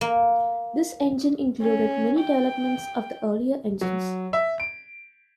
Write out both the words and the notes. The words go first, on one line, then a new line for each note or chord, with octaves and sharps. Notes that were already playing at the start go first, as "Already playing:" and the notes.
This engine included many developments of the earlier engines.
A#3
C#4
G5
F#3
E5
D7